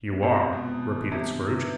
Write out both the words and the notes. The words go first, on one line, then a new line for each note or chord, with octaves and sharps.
'You are!' repeated Scrooge.
B3
C3 C4
C3 F4
B2 G#3
C4
D#3
G3
C3 B3
D4
D#4
B4